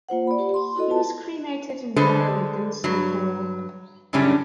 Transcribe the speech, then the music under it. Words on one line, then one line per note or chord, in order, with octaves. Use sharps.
He was cremated and buried in Singapore.
A#3 F4 C5 F#5
D5 B5
G4
C6
E4 F#4 A4 D#5
F4 A5
D3 G3 G#3 A4 B4 C5
G2 F#3
F#2 A2 C#3 G3 C#4 D4